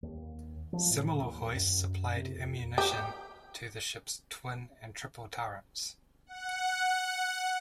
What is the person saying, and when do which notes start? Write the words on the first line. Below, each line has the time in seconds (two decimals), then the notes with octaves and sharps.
Similar hoists supplied ammunition to the ships' twin and triple turrets.
0.03 D#2
0.73 F3
0.90 A2
1.21 D#2
1.56 F#2
2.16 C3
2.38 F2
2.78 G4
6.26 F#5